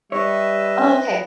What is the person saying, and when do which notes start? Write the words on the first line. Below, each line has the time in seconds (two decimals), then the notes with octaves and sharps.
Oh, okay, tha
0.12 G3 B4 C#5 D#5 E5